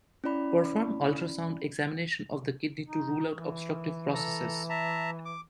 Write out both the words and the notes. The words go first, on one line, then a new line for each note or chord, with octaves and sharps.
Perform ultrasound examination of the kidney to rule out obstructive processes.
C#4 E4 D5 B5
D#4
E3
A4 A#5
E5 A5 A#5
D6